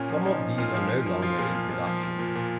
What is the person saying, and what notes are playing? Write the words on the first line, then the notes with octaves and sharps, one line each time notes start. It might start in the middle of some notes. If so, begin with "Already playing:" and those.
Some of these are no longer in production.
Already playing: A#2 C#4
F3
F3 D#4
F3
A#2 F4
F3
F3
F3
F3 F4
A#2
F3
F3
F3
F3
A#2
A#2